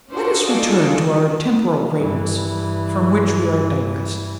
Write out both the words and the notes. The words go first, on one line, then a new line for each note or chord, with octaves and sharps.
Let us return to our temporal greatness, from which we are digressed.
C#4 D4 F4 F#4 A4 C5
D#4 F4 F#4 G#4 A4 D5
G2 E3